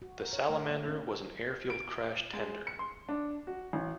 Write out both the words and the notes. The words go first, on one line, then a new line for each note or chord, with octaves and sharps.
The Salamander was an airfield crash tender.
F#4
A#4
C#5
A3
A#3
C#4
D7
G#3
C#7
C6
D4
F#4
A1